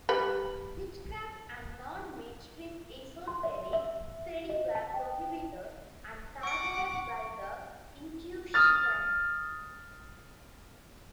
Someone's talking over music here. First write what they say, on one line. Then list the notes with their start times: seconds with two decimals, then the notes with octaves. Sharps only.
Witchcraft and non-mainstream esoteric study were prohibited and targeted by the Inquisition.
0.09 G3 B4
3.28 C6
3.43 E5
3.73 E5
4.50 D#5
4.75 A5
4.94 G5
6.43 F#5 C#6 D6 D7
8.54 D#6 F6 A6